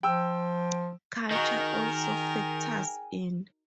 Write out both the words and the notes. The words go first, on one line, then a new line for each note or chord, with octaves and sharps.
Culture also factors in.
F3 G5 E6
D#3 D#4 F#4 G#4 A#4 G5 G#5